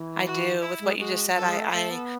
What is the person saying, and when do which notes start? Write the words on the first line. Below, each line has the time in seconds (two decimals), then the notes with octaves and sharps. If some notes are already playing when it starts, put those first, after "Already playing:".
I do. With what you just said, I
Already playing: E3
0.26 F#4
0.62 E4
0.80 G#3
0.98 G#3 F#4
1.35 F#3 A4
1.48 G#3
1.59 A3
1.71 A3 A4
1.90 B3